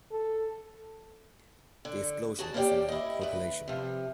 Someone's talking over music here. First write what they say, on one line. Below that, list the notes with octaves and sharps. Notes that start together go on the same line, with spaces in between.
The explosion is in our population.
A4
D3
F#4 G#4 A5
A#3 B3 C#4 G4 D5 G5
E4 D#5
D2 B4
C3 F3